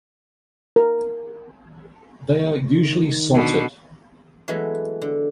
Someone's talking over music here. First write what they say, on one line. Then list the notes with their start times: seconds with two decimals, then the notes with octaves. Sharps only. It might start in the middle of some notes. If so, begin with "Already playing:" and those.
They are usually salted.
0.76 A#4
2.75 D#3
3.34 B2 D3
4.48 E3 F#3 G#3 A3 B3
5.02 D3